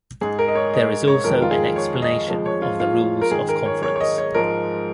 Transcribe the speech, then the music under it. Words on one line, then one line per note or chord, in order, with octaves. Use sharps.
There is also an explanation of the rules of conference.
G#2 G#3 G#4
A#4
D#5
C#5
D#5
C#5
F2 D#3 G#3 A#4
F4
G#4
C#5
D#5
F2 F3 G#3
C#5
F4
F4
A#4
G#2 D#3 G#3 G#4
A#4
C#5
C#5
C#5
D#5
C#5
G#2 F3 G#3 A#4